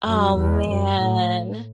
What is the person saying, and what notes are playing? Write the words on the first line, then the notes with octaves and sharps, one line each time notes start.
Oh, man.
F#2
E2
F#2
A2